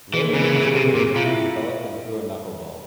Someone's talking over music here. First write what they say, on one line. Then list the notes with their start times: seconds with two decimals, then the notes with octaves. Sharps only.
Later in his career, he developed and threw a knuckleball.
0.14 E3 G#4
0.24 A#3 A#4
0.34 C#3 C4 C5
0.41 E3
0.44 G#4
0.49 C#3
0.55 E3 G#4
0.63 C#3 G4
0.75 C3 G#4
0.95 A#2
1.15 C3 F4 F5
1.26 E4 E5